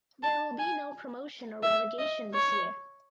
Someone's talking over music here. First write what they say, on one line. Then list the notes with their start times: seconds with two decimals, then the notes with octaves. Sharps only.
There will be no promotion or relegation this year.
0.23 A5
0.59 G#5
1.63 E5
1.99 D#5
2.34 C#5